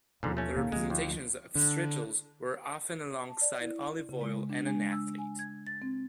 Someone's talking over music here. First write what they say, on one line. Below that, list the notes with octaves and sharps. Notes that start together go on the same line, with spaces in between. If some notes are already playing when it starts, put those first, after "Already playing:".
The representations of strigils were often alongside olive oil and an athlete.
D#2 G#2 B2 D3 F3
A3 C#4
C#2 A#2 D#3 A#3
D2 F3 G#3
D#2
D3
A5
D5
E4
C#3
G#3
D4
G#3
E6
G#5
G#6
A6
C4